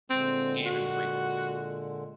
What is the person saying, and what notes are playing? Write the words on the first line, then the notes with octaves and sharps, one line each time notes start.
even frequency.
A#2 D3 G#3 C4
F#4